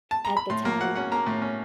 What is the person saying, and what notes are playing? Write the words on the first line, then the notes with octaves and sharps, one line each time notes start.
at the time,
A5
A#5
B5
A2 C6
A#3
F#3 F#5
C#4 F#5
A#3 A#5
A2
C#4